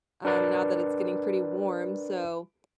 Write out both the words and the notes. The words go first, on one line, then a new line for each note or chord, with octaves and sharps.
um, now that it's getting pretty warm, so,
D4 A#4 B4 D5